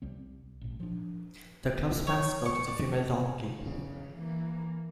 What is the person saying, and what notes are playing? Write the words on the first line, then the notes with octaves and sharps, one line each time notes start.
The club's mascot is a female donkey.
C2 G3 C4
A1 A#2
F3 D4
C#5
C#6
D5
C#3
E3 A#3